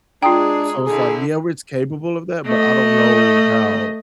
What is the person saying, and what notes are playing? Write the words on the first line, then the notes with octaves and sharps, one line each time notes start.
so it's like, yeah, it's capable of that, but I don't know how
G#3 D4 F4 G#4 G5 A#5 D#6
D3 E4 G#4
A3 D#5